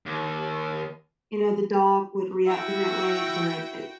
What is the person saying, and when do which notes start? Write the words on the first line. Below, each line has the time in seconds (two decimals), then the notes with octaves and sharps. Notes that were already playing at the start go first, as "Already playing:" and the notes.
you know, the dog would react in that way, but it,
0.06 D#2
2.47 E4 F#4 G5 E6